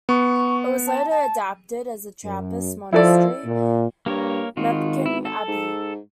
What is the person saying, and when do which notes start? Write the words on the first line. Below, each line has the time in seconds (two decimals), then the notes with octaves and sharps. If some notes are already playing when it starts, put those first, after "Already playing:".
It was later adapted as a Trappist monastery, Mepkin Abbey.
0.09 B3 C#6
0.87 A5
1.10 A5
2.23 F#2
2.92 F3 E4 A4 D5
3.45 A#2
4.06 G2 A#3 A#4 C#5
4.57 G#1 D#3 F4 F#4
5.06 E4
5.25 A4
5.48 G#2